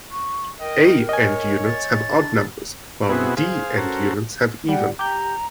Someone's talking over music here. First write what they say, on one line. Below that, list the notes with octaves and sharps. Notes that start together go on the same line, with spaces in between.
A end units have odd numbers while D end units have even.
C#6
A#4 D#5 G5
C#5 D#5 G#5
A6
D4
B2 B3 C4 E4 F#4 G#4
G#4 C5 F5
C#4 F#4 A4 A#4 C5
G3 F#5
G4 A#5 G6